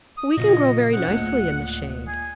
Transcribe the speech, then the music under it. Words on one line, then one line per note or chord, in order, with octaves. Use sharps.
"We can grow very nicely in the shade."
D#6
A#2 C#3 F3 F#3 C#4 D#5
C4 C#4 F#5
D1 A#2 G#3 A3
G#5